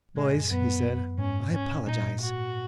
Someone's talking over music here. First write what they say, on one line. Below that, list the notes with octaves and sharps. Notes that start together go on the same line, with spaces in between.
"Boys," he said, "I apologize."
A#2 G#3
F#2
F#2 B3
G#2 C#4
C#4
A#2 D#4
F#4